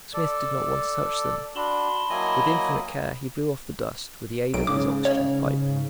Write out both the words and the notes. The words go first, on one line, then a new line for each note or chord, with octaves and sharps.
Smith did not want to touch them; with infinite care he blew off the dust with the aid of his oxygen pipe.
A4 D5
D4 F#4 A5 B5 C6
F#3 A#3 E4 D#5 G#5
B1 D7
G#2 C#3 D6
C#5